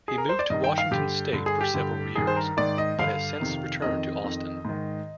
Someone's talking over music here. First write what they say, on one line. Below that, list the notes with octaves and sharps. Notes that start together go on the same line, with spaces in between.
He moved to Washington state for several years, but has since returned to Austin.
G#4
A#4
C5
D5
G2 D#3 D#5
G5
F5
G2 D3 G4
G2 D3
G#4
G4
G2 D3
G2 D#3 G#4
C5
A#4
G#2 D#3 D5
D#5
G2 D3 F5
F2 C3 D#3
F2 D#3 D#5
F2 D#3
G#2 D#3